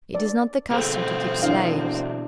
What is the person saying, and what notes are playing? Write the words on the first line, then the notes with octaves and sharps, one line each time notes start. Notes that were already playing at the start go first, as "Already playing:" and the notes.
It is not the custom to keep slaves.
D5
B2 C4 G#4 A4
D4 E4 F5